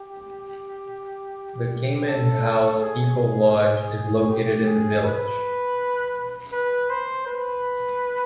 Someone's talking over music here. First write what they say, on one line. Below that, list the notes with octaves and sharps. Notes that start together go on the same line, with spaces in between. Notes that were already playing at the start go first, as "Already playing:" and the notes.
The Caiman House Eco Lodge is located in the village.
Already playing: G4
A4
G#4
G4
G#4
B4
B4
C5
B4